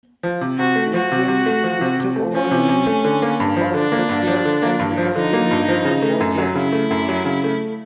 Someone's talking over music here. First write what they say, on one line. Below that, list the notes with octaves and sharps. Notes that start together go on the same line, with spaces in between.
Eventually, they took over running of the club and became New Mills Football Club.
F3
C3
C3 F#4
A3
F3 F#4
C3
C3
A3
F3
C3
C3
A3
F3 C#4
C3
C3
A3
D3
A#3
G2
F3
D3 D4
A#3
G2
F3
D3
A#3
G2
F3
D3 D#4
A#3
G2
F3
C#3
A3
F#2
F#3
C#3 E4
A3
F#2
F#3
C#3
A3